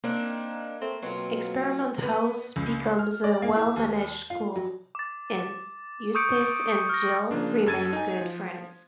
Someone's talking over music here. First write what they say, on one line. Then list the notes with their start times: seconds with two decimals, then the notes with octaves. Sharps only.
Experiment House becomes a well-managed school, and Eustace and Jill remain good friends.
0.04 A#3 C4 D4 D#4
0.81 A3 C4
1.03 B2 F#3 C4 F4
2.02 B3
2.56 C#2
2.99 F6
3.24 D5
3.42 A#3
3.56 E4
3.76 D#2
4.30 F4
4.56 F#3
4.95 D6 A6
6.15 C#6 D#6 E6 G6 C#7 D7
6.89 F6 A#6
7.31 C#3 F3 A#3 D4
7.66 F#2 A4 G#6 A6 D#7
7.93 D#4 G#5
8.21 F3